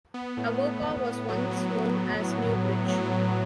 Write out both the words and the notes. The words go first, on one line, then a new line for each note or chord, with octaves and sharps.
Avoca was once known as Newbridge.
B3
A2
A2
A2
B3
F#3
F#3
A2
A2
A2
A2
A2
F#3
A2